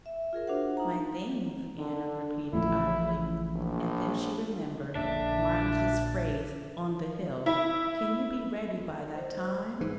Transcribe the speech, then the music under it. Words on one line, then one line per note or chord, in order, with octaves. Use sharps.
'My things!' Anna repeated idly; and then she remembered Mynors' phrase, on the hill, 'Can you be ready by that time?'
E5
F4 G#4 A#4 E5
D4 F#4 C5 F#5
D#4 A#5
D3
A1 A2 F3 E4
A#1
A#1 A#2 D3 D4 E5
E4
C5
G#2 E3